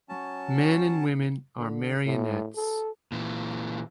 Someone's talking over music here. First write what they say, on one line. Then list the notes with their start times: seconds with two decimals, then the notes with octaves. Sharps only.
Men and women are marionettes.
0.09 F#3 C#4 A5
1.57 D3
2.06 A2
2.56 A4
3.12 A#2 E3